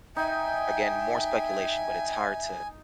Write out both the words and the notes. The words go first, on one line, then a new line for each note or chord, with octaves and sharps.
again, more speculation, but it's hard to
D#4 E5 G5 G#5